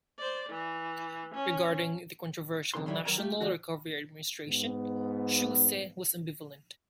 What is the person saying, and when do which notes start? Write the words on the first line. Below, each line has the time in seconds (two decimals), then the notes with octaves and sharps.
Regarding the controversial National Recovery Administration, Shouse was ambivalent.
0.18 C5 D5
0.49 E3
1.34 C#4
2.74 F2 C#3 E3 C6
2.86 D3 D#3 F#3 G3 E4
3.05 D#3 F#3 A#4 C#5 A#5
3.18 A3 F4 G4
3.41 A2 D3 E3 F#4
4.47 G#2 B3